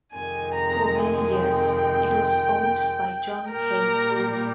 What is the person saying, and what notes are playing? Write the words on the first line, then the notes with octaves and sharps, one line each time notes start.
For many years it was owned by John Hay Whitney.
F2 C3 D#3 G#3 G#5
A#5
G#5
G5
A#2 G3 A#4